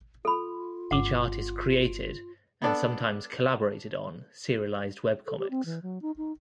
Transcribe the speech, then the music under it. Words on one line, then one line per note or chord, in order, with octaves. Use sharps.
Each artist created, and sometimes collaborated on, serialized webcomics.
F4 A4 B5
G1 F#5 D6
B3 D4 A4
A4
G4
C4
E3
F#3
D#4
D#4